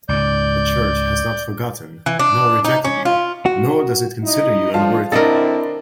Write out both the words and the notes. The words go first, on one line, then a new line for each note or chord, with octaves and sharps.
The Church has not forgotten nor rejected you, nor does it consider you unworthy.
C#2 G#2 D5 G6
E3
D4
D#4
C#4
F4
F#4
D#4 E4 D#5
D3 F3 F4 F5 A5
D3 C4 D4 E4 A4 A#4 D#5 A6